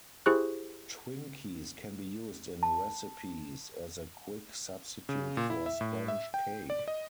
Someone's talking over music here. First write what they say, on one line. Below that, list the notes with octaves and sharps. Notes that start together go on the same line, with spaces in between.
Twinkies can be used in recipes as a quick substitute for sponge cake.
E4 G4 G#4 C5 C#6 F#6
A5
C#3
A#2
E4
E5
A2
E5
G5
D5
D#5